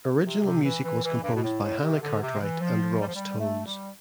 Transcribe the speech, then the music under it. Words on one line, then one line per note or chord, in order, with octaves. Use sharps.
Original music was composed by Hannah Cartwright and Ross Tones.
C3
C3
E3
E3
E3
G2
B2
A2
A2
D3
C3
D3
C3
E3
F3
G3
F3
G3
A3
G3